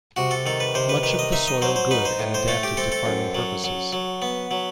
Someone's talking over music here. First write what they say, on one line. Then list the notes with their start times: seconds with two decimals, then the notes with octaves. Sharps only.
Much of the Soil good and adapted to farming purposes.
0.16 C3 F#4
0.31 A4
0.46 D#3 A4
0.60 B4
0.74 C3 C5
0.89 B4
1.03 D#3 B4
1.19 D#5
1.32 D#4 E5
1.47 D#5
1.62 F#3 C5
1.76 C5
1.91 D#4 B4
2.05 C5
2.19 A2
2.34 C5
2.48 A3 A4
2.63 G4
2.77 C4 A4
2.92 A4
3.05 F#2
3.35 F#3
3.64 F#3
3.93 F#3
4.22 B3
4.51 F#3